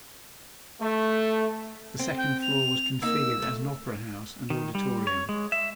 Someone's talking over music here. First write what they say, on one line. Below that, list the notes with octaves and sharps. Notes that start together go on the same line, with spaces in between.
The second floor was configured as an opera house and auditorium.
A3
C4
G5
F7
A#3 D#4 E6
A3
D#3
G3
C#5
G#3
E5